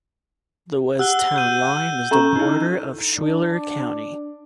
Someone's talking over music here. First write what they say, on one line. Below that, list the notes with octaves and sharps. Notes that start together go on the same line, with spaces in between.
The west town line is the border of Schuyler County.
G4 F#5 E6 F#6 G7
G6 D#7
C#4 A4 G5 A#5 C#6
D#4 E4
D4